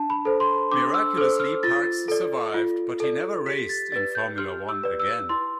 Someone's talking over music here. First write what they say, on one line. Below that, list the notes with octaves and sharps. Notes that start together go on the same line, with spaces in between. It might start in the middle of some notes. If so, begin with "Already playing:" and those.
Miraculously, Parkes survived, but he never raced in Formula One again.
Already playing: D4 A5
B5
A4 C5
C6
D4 D6
E6
A4 C5 F6
F6
F4 A6
A4 D5
F4
A4 D5
G4 B6
A6
B4 D5 A6
G6
G4 F6
E6
B4 D5
E6
E4 C6